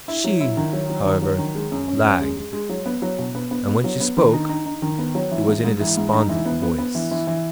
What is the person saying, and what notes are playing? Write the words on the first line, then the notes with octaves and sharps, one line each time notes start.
She, however, lagged, and when she spoke it was in a despondent voice.
E4
F#3
E4
D#3
F#3
F#3
D#3
F#3
D#3
G#3
F#2
C#4
F#2
G#3
G#3
G#3
F#3
B3
F#3
B2
B3
B3
B3
F#3
B3
D#3
D#4
D#4
D#4
D#3
B3
F#3
E3
G#2
G#2
E3
G#2
D#4
E3
B3
B3
B3
E3
E3
E3